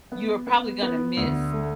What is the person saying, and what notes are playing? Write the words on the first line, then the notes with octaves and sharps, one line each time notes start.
you're probably gonna miss
B3
B3
B3
D2
A3